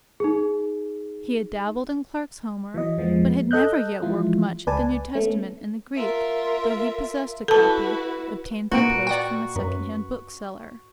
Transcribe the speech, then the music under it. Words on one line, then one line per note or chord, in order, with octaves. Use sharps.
He had dabbled in Clarke's Homer, but had never yet worked much at the New Testament in the Greek, though he possessed a copy, obtained by post from a second-hand bookseller.
D#4 G#4
E3 F#3 D#5
F2 F3 G#3 B3
A4 D#5 F#6 G6
E3 F3 G#3 E4 F4
C#2 B4 D5 G#5 A5
A3 B3 C#4 A4
F4 A#4 E5
E4 F#4 A4 B4 A5
A#2 A#3 F#4 B4 D7
D5 F#5 G5 C#6
F#2 B4